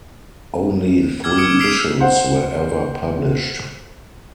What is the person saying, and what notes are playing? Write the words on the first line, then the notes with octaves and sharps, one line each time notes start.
Only three issues were ever published.
D6 E6 F6 G#6
D#6 G#6 C#7 D7
E6 F6 B6 C7 D7 F7
C5 F#5